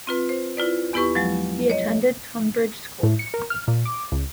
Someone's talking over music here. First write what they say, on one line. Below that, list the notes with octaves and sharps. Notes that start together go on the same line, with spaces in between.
He attended Tonbridge School.
C4 F4 B4
C5
E4 F4 B4 D5
E2 B3 E4 G4 B4 C#6
F3 F#3 G#3
C#5 D#5
A2
C#7
A#4
F6
A#2
D6
C#2